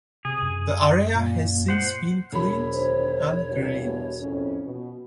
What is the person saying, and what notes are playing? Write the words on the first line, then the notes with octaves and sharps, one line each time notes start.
The area has since been cleaned and greened.
C3 G#4
F#2
A#2
C5 F#5
E1 F#3 C#5 B5
D2 D#3 C5
E2 G2 B2
F2 A2 C#4
B2